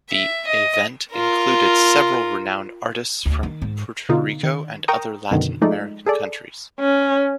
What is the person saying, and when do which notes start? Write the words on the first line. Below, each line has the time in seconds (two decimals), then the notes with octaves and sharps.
The event included several renowned artists from Puerto Rico and other Latin American countries.
0.10 E5
0.47 D#5
1.13 F4 A#4
3.26 D2
3.43 D#3
3.62 G#2
4.09 B2 D3 D#4 F4
4.43 D#3
4.88 A#4 G5 A#5 C#6 D#6
5.31 F#2 B2 D3 D#3
5.62 F3 G#3 A3 D#4 D5
6.06 G#4 A4 D5
6.80 C#4